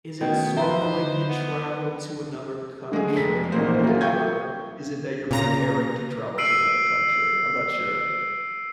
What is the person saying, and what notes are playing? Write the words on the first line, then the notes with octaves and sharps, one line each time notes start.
Is it sort of like you travel to another country, or, is it that you're preparing to travel to another country? I'm not sure.
B2 D#3 A3 B3 C#4
F3 D#4 E4 B4 C5 E5 A#5
D#5 B5
D3
B3
D3 G#3 A3 G#4
F1 B6
A1 A#2 A#3 C5
F#3 A#3 E4 F4
E5 G5 C#6 G6 G#6
A#2 C#3 A#5 A#6
E6 B6 C7 D7 D#7 F#7